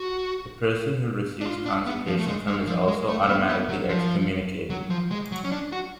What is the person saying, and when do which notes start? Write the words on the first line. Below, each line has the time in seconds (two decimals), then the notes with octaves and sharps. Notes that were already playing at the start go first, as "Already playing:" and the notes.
The person who receives consecration from him is also automatically excommunicated.
Already playing: F#4
1.41 D4
1.46 F4
1.66 D4
1.86 B3
2.07 F3
2.19 A3
2.27 G#3
2.48 G#3
2.67 F3
2.88 G#3
3.08 A3
3.23 A3
3.29 B3
3.49 B3
3.69 F#3
3.89 F3
4.70 F#3
4.90 F3
5.11 G#3
5.32 F#3
5.44 C#4
5.52 D4
5.72 F#4